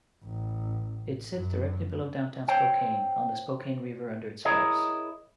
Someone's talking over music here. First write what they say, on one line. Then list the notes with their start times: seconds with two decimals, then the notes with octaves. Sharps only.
It sits directly below Downtown Spokane on the Spokane River under its falls.
0.24 A1
1.33 F#2
2.48 C5 C#5 G5
4.45 E4 G#4 A#4 C#5 D#5